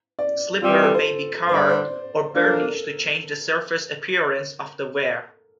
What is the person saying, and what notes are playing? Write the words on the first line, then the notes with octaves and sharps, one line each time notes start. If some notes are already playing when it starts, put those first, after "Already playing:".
Slipware may be carved or burnished to change the surface appearance of the ware.
D5
E3 G3 C4 F4
G4
A4
C5
G2 D3 G3 C5
D5
C5
F3 A#3 D4 A#4
A4
A#4